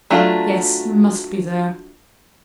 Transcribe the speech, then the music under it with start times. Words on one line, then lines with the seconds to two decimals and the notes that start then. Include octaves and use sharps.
Yes, he must be there.
0.10 F#3 A3 D4 F4